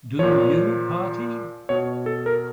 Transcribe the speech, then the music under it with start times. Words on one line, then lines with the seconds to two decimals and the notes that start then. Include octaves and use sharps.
Do You Party?
0.19 A#2 F3 C#5
1.69 B2 C#5
2.06 A4
2.26 A#4